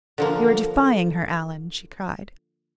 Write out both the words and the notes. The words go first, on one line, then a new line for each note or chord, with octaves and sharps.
"You are defying her, Allan!" she cried.
D3 F3 A#3